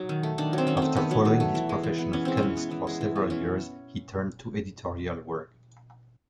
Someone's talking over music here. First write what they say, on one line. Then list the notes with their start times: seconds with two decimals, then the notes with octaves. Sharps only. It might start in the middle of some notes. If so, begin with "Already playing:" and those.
After following his profession of chemist for several years, he turned to editorial work.
Already playing: F#3 D#4
0.09 D#3
0.23 A3
0.38 D#3 D4
0.53 F#3 C4
0.67 D#3 C#4
0.77 A3 C4
0.96 D#3 B3
1.11 F#3
1.25 D#3
1.40 A3
1.55 E3
1.69 G#3
1.83 E3
1.98 B3
2.13 E3 C#4
2.25 G#3 C4
2.37 C#4
2.43 E3
2.57 B3
2.71 E3
2.87 G#3
3.01 E3
3.16 B3
3.30 E3 C#4